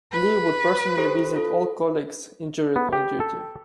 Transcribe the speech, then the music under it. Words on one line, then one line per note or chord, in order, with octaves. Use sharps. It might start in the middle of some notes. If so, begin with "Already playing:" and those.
Lee would personally visit all colleagues injured on duty.
B4
G4 A4 C5
F4 A4
B3
G4
A4